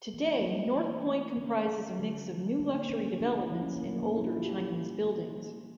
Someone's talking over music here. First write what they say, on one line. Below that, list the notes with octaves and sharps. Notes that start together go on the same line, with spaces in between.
Today North Point comprises a mix of new luxury developments and older Chinese buildings.
E3 A#3
C#4
A3 A#3
E3
A3
D3 C#4
A3
D3
A3
D3 A#3
F3 A3 C#4
D3 D4
E4
F3 A3
C#4
A#3
A#2 C#4
C#4
G3 A#3 E4
D4
F4
A#2 G4
G3 A#3
E3
A#3